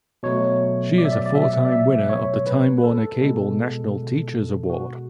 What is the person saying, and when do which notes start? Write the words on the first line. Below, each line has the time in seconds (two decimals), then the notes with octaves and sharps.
She is a four-time winner of the Time Warner Cable National Teachers Award.
0.23 B2 F#3 A3 C#5
0.98 D5
1.05 E5
1.13 D5
1.19 E5
1.26 D5
1.35 E5
1.65 D5
1.72 E5
2.10 C#5
2.47 B4
2.78 B4
2.84 A4
3.21 B2 G#3
4.70 F#4